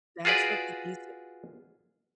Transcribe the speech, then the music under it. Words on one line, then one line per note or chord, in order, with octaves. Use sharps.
that's what the DC
F4 F#4 G#4 B4 D5